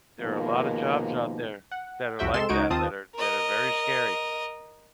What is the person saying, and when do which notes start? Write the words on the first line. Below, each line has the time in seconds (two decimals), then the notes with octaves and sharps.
There are a lotta jobs out there that are like that, that are that are very scary,
0.20 D#2 G#2 B2 D#3 F3 A#3
1.71 F#5
2.19 C2 F2 F#4 E5 G5
2.34 C3 G#3 A4 C6 E7
2.49 C#2 D#4 F#4 G#6 D7
2.70 D#2 C4 F4 D#5 A5 D#6
3.15 A#4 D#5